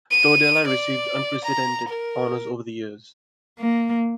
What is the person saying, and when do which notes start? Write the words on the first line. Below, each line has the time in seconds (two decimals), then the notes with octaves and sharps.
Tordella received unprecedented honors over the years.
0.11 D#7
0.67 D5
1.43 A#5
1.88 A#4
3.59 A#3